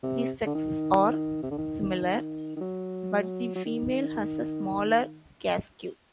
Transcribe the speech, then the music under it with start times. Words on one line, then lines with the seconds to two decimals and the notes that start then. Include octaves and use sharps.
The sexes are similar, but the female has a smaller casque.
0.03 C3
0.46 D3
0.55 D#3
1.43 C3
1.51 D3
1.58 D#3
2.56 D#3
2.61 F#3
3.55 F#3
3.65 D#3